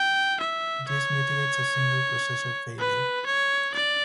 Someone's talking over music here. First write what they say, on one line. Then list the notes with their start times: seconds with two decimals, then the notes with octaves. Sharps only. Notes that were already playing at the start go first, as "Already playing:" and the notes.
This mitigates a single processor failure.
Already playing: G5
0.41 E5
0.89 C#5
2.79 B4
3.26 C#5
3.74 D5